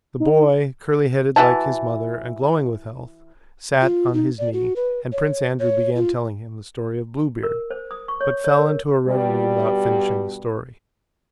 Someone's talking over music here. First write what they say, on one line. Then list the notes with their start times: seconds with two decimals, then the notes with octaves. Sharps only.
The boy, curly- headed like his mother and glowing with health, sat on his knee, and Prince Andrew began telling him the story of Bluebeard, but fell into a reverie without finishing the story.
0.20 D#4
1.36 E3 F#4 E5 A5
3.81 F4
4.14 D#4
4.38 D5
4.53 F#4
4.76 B4
5.12 C#5
5.59 C#5
5.95 F4
7.43 A#4
7.70 C5
7.91 D#6
8.08 C#6
8.21 C#5
8.44 C#5
8.59 A#4
9.07 G2 B2 G3